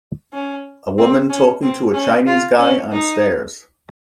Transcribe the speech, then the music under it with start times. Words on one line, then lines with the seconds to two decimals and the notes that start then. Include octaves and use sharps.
A woman talking to a chinese guy on stairs.
0.33 C#4
0.98 C4
1.30 C#4
1.63 C4
1.94 C#4
2.27 F4
2.59 C#4
2.92 D#4